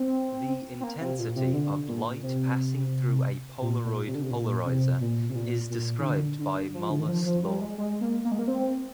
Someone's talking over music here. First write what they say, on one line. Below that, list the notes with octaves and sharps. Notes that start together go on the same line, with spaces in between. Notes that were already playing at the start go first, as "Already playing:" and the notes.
The intensity of light passing through a Polaroid polarizer is described by Malus' law.
Already playing: C4
C4
A#3
C3
A#2
C3
D3
A#2
C3
A#2
A#2
C3
D3
C3
A#2
C3
A#2
C3
A#2
A#2
D#3
D3
D3
F3
D3
D#3
F3
F3
G3
G#3
G#3
A#3
A#3
G#3
A#3
C4